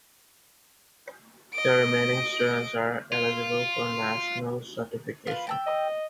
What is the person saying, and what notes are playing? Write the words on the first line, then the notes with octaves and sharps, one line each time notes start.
The remaining students are eligible for national certification.
D#5 D7
F4
F4 B4
G5 A5 E6
D#5